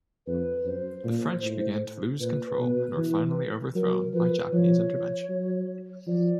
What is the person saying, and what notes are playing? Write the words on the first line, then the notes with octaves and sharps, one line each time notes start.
The French began to lose control and were finally overthrown by Japanese intervention.
F2 B4
F#2 C5
A#2
A2
A#2 B4
B2
E3
F#3 A#4
F3 B4
F3 C#5
F#3
F3 D5